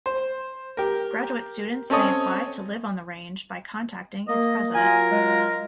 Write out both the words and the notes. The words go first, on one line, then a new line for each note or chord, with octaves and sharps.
Graduate students may apply to live on the Range by contacting its president.
C5
G4 A#4
C4 C#4 A4 C#5 D#5 G#5
A#3 D#5
F#3 F4 A#4 G#5
G#3